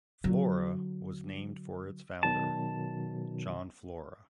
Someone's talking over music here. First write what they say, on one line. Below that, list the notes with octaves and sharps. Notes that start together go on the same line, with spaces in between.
Flora was named for its founder, John Flora.
D3 F#3
B2 D#3 F#3 A5